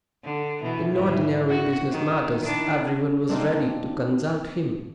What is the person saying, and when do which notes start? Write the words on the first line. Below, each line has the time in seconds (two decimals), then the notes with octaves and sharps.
In ordinary business matters every one was ready to consult him.
0.24 D3
0.61 B2 E3
0.95 G#2 E3
1.48 F#4
1.91 D#3
2.43 D#3 D4 E4
3.29 D#3 A#3 C4 D4